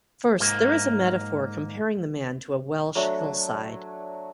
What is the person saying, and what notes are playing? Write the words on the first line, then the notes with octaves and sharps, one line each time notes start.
First, there is a metaphor comparing the man to a Welsh hillside.
G#2 A#3
F#3 A3 D4 C#5